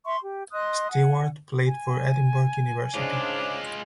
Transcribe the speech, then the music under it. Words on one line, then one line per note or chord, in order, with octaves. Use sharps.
Stewart played for Edinburgh University.
E5 C6 C#6
G4
D#5 C6 D#6 F#6
F#5 G#5
G#5
G#2 C#3 G#3 D4 F4